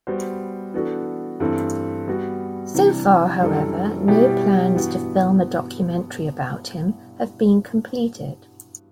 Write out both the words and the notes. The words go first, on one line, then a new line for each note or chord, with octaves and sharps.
So far, however, no plans to film a documentary about him have been completed.
G3 B3 F#4 C5
E3 B3 D4 F#4 A4
G2 E3 A3 C4
G3 B3 F#4
C3 E3 G3 D4
F#2 E3 G3 D4 A4
B2 G3 B3 E4 G4
G2 E3 B3 F#4